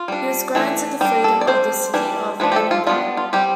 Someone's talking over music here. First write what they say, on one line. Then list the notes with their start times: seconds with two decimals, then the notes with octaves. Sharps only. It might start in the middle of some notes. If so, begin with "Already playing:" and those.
He was granted the Freedom of the City of Edinburgh.
Already playing: F4
0.08 G3 D4
0.55 E3 A3 D4
1.01 G3 D4 G4
1.24 A4
1.41 D5
1.47 G3 C4 C5
1.94 E3 G3 D4
2.40 F3 A3 D4 B4
2.52 G4
2.56 A4
2.71 F4
2.87 G3 B3 D4 F4
3.17 F4
3.33 G3 C4 G4